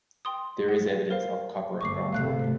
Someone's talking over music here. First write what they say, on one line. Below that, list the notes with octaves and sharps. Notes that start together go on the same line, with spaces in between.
There is evidence of copper and bronze working.
G5 C6 D#6
F#5
A#4 C5 F5
G1 A3 C#6 D6 C7
G#1 C3 A3 F5 F#6 C7